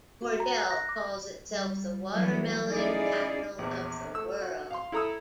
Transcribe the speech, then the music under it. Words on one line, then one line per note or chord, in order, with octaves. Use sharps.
Cordele calls itself the Watermelon Capital of the World.
F#4
A#5
F#6
A#6
D6
G3
E3 F#3 G3 A3
C#4 D#4 E4 G#4 D5
A#1 E2
A3 E6
F#4
F5 C6
E4 A4 A#5 D#6 E6